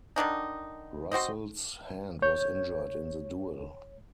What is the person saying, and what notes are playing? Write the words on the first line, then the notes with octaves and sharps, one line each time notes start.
Russell's hand was injured in the duel.
D3 D#3 D4 D#4
C4 F#4 C5 D#5
C#5 G6